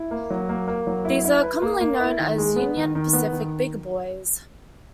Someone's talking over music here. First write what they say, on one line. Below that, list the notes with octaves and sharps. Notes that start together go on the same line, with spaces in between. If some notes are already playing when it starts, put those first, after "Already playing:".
These are commonly known as "Union Pacific Big Boys".
Already playing: E4
A#3
F#3
A#3
A#3
F#3
E4
E4
B4
A#3
A#3
E4
D#3
G#3
B3
D#3
D#3
B3
D#3